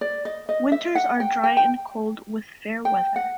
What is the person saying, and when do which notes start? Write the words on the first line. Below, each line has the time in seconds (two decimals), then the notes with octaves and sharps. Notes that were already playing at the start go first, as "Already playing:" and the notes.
Winters are dry and cold with fair weather.
0.01 D5
0.25 D#5
0.49 D#5
0.72 E5
0.95 F#5
1.20 G5
1.44 G5
1.57 G5
2.85 G5
3.16 F#5